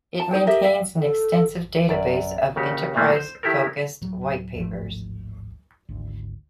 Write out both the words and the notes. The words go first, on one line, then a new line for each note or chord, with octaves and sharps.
It maintains an extensive database of enterprise-focused white papers.
A5
D#4 G#4 C5 G5
G4 A#4 D#5 E5
E5 F5
A4
F#2 D5
D#2 C#3 F#4 G4
A#2 E3 A3 A#3
C5
D#3 E4 G4 A4 A#4
D1 F#3
D1 G#1 F3 A3
G#1 D2